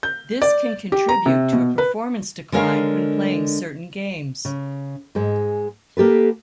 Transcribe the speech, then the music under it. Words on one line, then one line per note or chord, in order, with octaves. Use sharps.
This can contribute to a performance decline when playing certain games.
G6
D5
G4
A#5
C3
B2
B4
D3 G#3 A#4 C#5 F5
C#3
G#2 G#3
A#3 G4 A4 B4